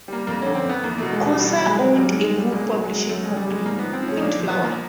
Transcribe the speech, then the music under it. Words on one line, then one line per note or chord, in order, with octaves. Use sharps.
Kooser owned a book publishing company, Windflower.
G3 A#3
F2 A#3
D3 C#4
C4
F2 B3
E2 A#3
B2 A3
G#3
E2
G3
B2 G3
F#3
G#3
F#3
F#2 G3
G#3
D#3
G#3
F#2 G3
A#2 G#3
F#3 G#3
G#3
F#3
G#3
F#2 A3
C#3 G#3
G3
G3 G#3
G#2 A#3
B3
F3
C4
F3 C#4
D#4
A#2 D4
F3
B3
F3 A#3